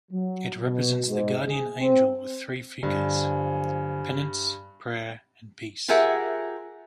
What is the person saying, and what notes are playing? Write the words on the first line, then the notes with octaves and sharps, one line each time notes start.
It represents the Guardian Angel with three figures: Penance, Prayer and Peace.
F#3
B2
G#2
G#4
C4
G2 D3 F3 F#3 G#5
F4 G4 G#4 A#4 E5 F#5